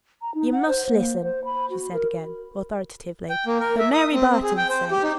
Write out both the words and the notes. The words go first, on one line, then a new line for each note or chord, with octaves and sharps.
"You must listen," she said again, authoritatively, "for Mary Barton's sake."
A#5
D#4
F#5
C5
A#3
C5
B5
F#4
A#4
G5
A#3
A#4
E5
D#6
C4
C4
G#4
G5
C5
G4
D#4